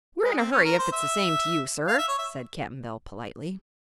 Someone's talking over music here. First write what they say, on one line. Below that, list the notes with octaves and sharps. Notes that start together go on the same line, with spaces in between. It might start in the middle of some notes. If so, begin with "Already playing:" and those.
"We're in a hurry, if it's the same to you, sir," said Cap'n Bill, politely.
G#3
C4
C#4
A#4
C5
E5
F5
E5
C#5
E5